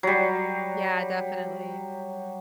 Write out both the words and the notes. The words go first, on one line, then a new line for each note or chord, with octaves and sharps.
Yeah, definitely.
F#3 G3